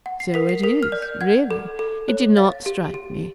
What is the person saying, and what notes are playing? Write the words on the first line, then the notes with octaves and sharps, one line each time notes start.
'So it is, really; it did not strike me.
F#5
C7
A#4 B6
C7
A#4 B6
F6
D5
G6
F#5 G#6
A4
A4
C#5
F5 A6
G4
G4